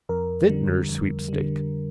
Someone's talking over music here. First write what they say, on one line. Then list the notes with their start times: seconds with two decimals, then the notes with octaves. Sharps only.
Vintners' sweepstake.
0.09 F2 A#4
0.49 D3 G3
0.89 F2
1.28 D3 G3